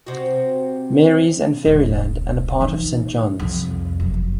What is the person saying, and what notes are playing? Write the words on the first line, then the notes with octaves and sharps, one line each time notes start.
Mary's and Ferryland and a part of Saint John's.
C3 F#4
D#1 C2
E3 D#4
C2 F2
F#1